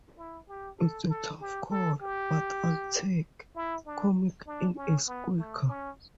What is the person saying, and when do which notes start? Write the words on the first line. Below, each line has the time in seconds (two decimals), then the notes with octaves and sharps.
It's a tough call, but I'll take 'Comic' in a squeaker.
0.18 E4
0.49 G4
0.79 A4
1.10 A4
1.41 G4
1.71 A4
2.01 G4
3.55 E4
3.86 D4
4.47 D4
4.77 C#4
5.08 B3
5.38 A3
5.69 C#4